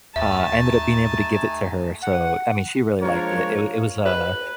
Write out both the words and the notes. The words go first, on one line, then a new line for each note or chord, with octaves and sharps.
uh, I ended up being able to give it to her. So, I mean, she really liked it. It wa it was, uh
D#2 A3 D#4 E5 G#5 A5
F#5
F3 G#3 A#3 D4 A#4 C#5
B4